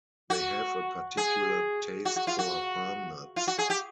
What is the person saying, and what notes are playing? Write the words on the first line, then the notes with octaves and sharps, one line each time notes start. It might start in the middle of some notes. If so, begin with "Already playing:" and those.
They have a particular taste for palm nuts.
F#4
G#4
F#4
F#4
F4
F#4
F4
F#4
G#4
G4